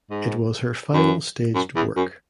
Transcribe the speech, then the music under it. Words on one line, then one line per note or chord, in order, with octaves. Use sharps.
It was her final staged work.
G#2
F#2
F#2
E2
F#2